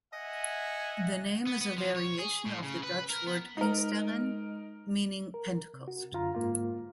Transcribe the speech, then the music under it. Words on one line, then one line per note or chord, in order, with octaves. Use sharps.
The name is a variation of the Dutch word "Pinksteren", meaning "Pentecost".
D#5 E5 F#5 G#5
B3
B3
F3
C#5
G#4
A2
C#3
B4
A#4
B3
G#3 D#4 A#4
A#4
C3
F#4
F#2 D3 F4 A#5
G#2 A#3 F4